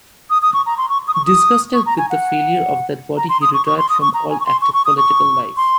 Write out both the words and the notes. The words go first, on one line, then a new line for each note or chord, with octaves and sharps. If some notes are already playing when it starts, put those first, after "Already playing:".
Disgusted with the failure of that body, he retired from all active political life.
D#6
D#6
C#6
A#5
C6
C#6
D#6
C#6
D#6
C#6
A#5
G#5
F#5
A#5
C6
D#6
C#6
C#6
C6
D#6
C#6
A#5
G#5
C#6
C6
C#6
C#6
D#6
C#6
C6